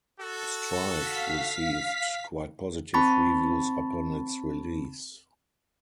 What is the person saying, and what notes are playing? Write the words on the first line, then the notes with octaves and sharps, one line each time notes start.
"Strife" received quite positive reviews upon its release.
F#4 A4
F5 B6
C4 A5 B5 C#6 A6